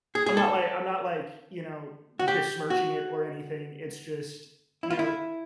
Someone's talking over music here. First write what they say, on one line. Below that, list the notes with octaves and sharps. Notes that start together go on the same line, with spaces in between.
I'm not like I'm not like, you know, besmirching it or anything, it's just, you know,
G#4
G#4
A4
F#4
G4
F#4
E4
F4
E4